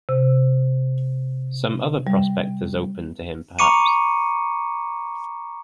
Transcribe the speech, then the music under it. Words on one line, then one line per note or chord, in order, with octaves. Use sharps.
Some other prospect has opened to him, perhaps?
C3
G3
A#5 B5 C#6 D6 C#7 D#7